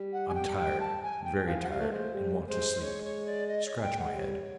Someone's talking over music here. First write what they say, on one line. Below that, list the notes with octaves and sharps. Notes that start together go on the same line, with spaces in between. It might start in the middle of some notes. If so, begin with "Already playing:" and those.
I'm tired, VERY tired, and want to sleep--scratch my head.'
Already playing: G3
F#5
G#5
G5
G5
A5
G#5
G5
F3 F5
E3
F3 F#5
G3 F5
A3
G#3 C5
G3
G#3 C5
G#3 C#5
C#5
D5
D#5
C#5
G#5
G5
F#5
G#3
G3 C#5